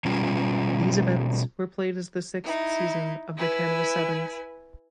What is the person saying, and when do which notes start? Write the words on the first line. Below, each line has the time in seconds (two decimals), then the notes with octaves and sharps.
These events were played as the sixth season of the Canada Sevens.
0.05 B2 G3 C#4 F4 G#4
2.43 D#4 E4
3.37 E4 B4 G#5